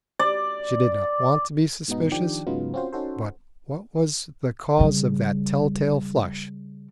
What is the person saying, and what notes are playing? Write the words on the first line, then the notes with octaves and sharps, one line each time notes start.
She did not want to be suspicious, but what was the cause of that tell-tale flush?
D5
G#2 B2 B3 D#4
D#3 F3 D4 G4
G#2 C#3 F#3 B3 D#4 F4
C4 C#4 F4 F#4 C5
C#4 D#4 F#4 A4 C5
C#3 G3